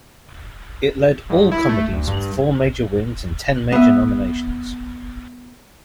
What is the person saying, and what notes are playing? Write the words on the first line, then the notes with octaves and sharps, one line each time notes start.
It led all comedies with four major wins and ten major nominations.
G2
E4
A3
D2
G2
B3 E5